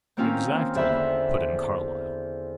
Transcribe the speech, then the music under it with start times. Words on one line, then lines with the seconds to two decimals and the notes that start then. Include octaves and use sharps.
"Exactly," put in Carlyle.
0.17 D#3 A#3 C4 C#4 F4
0.75 E2 D3 C5 E5 B5